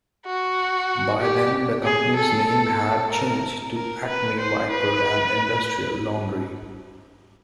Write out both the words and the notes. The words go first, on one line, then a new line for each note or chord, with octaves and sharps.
By then, the company's name had changed to Acme Wiper and Industrial Laundry.
F#4
G4
G#4
A4
A4
A#4
A#4
B4
C5
B4